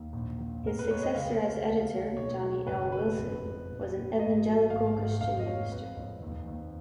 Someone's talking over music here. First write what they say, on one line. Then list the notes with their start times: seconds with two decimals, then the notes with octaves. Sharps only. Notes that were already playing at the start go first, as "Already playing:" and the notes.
His successor as editor, Johnny L. Wilson, was an evangelical Christian minister.
Already playing: D#2
0.13 A#1
0.39 A#1
0.64 F1 A#4
0.79 B4
0.90 G#3 C#5
1.03 D#5
1.15 C#2 F5
1.40 C#2
1.66 D#2
1.91 D#2
2.17 B1 C#5
2.42 G#3
2.67 F#1 B4
2.92 G#3 B4
3.18 F2
3.43 F2
3.69 A#1
3.94 A#1
4.19 G#1 D#5
4.45 F#3
4.70 G#1 F5
4.96 G#1
5.21 F1 F5
5.39 D#5
5.46 G#3 C#5
5.72 F2 B4
5.97 F2
6.22 D#2
6.47 D#2